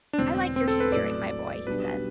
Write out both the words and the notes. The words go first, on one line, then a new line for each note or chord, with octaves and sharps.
"I like your spirit, my boy," he said.
D4
E1 E2 D3 A3 C4
C4
A4
B4
A1 A2 F#3 D5
B1 B2 G3 D4 G4 B4